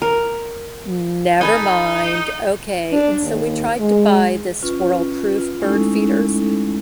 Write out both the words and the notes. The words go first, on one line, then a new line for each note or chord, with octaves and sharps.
never mind. Okay." And so, we tried to buy the squirrel proof bird feeders,
A#4
D#4 A4 B4 G#5
D4
D#2
G#3
C#4 F4 B4
F4
G#3 A3 C#4 D#4 E4 A4